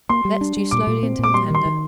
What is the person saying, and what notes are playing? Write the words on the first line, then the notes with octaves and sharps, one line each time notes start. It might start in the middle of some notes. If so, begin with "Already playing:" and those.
Let stew slowly until tender.
A#3 C6
G3
D4
G3
A#2 D6
A#2
C4
A#2 D6
G3 C6
D#3 C6
D#3